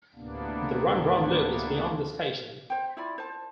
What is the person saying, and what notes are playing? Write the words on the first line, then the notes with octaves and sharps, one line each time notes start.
The run-round loop is beyond the station.
D2 A2 C3 A#3 B3 D4
C5 G5
E4 F4 D5 B5
C5 A5